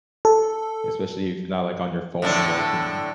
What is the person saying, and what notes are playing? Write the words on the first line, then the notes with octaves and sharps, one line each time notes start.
Especially if you're not, like, on your phone and walking,
A4
A2 D3 D4